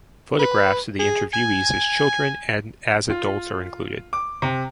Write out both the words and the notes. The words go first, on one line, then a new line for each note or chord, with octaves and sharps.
Photographs of the interviewees as children and as adults are included.
B4
G#4
G#5
F4
D6
C3